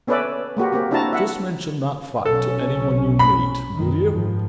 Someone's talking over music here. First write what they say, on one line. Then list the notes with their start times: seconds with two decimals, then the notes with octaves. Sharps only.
Just mention that fact to any one you meet, will you?
0.07 B3 C#4 A4 B4 D5 E5
0.57 G#3 A#3 F#4 G4
0.72 A#3 C4 G4
0.91 C4 D4 E4 F#4 A5 A#5
1.13 E5 F#5
2.25 B1 C#4 A4
3.19 B5
3.73 F#2 D#3
4.11 G#2 D#3 F3